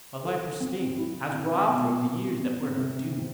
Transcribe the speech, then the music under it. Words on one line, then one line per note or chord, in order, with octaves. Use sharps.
A viper's sting has robbed her of the years that were her due.
A4
C4
E4
C4
B2
C4
C4
C3
C4